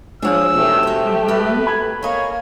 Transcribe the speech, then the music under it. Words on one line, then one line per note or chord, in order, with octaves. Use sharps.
Oh, yeah, mhm.
G#3 D4 F4 C5 C#5 G#5 E6
B2 A3 G4
F#4 C5
F#4 A4 B4
B5 G#6 F#7
A#3 G#4 C#5 D#5